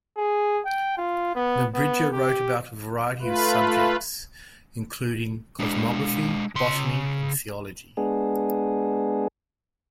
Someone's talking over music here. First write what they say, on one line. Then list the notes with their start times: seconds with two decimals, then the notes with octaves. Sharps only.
Nebrija wrote about a variety of subjects including cosmography, botany and theology.
0.17 G#4
0.65 G5
0.97 F4
1.35 B3
1.74 B3
2.12 G4
3.22 A3 F4 B4
5.59 G#3 D4
6.55 C#3 C6
7.97 G#3 B3 D4 G#4